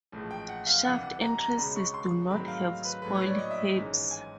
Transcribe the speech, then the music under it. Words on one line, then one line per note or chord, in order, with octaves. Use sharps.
Shaft entrances do not have spoil heaps.
A1 A2 F3 G#3
G5
F#5
F5
C2 C3 E3 F#5
F#5
A#5
A#5
C#2 B2 G#3 C#4 B5
C#6
C6
G#2 D#3 F#3 A3 C4 B5
F5
B4
A#1 A2 F#3 A3 B4
C#5
D5
D#5
E5
G#1 G#2 E3 G#3 C#4
G#5